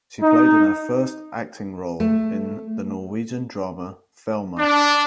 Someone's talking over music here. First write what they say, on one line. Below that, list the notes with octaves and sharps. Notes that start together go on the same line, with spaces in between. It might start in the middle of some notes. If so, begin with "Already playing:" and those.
She played her first acting role in the Norwegian drama "Thelma".
D#4
A3
D4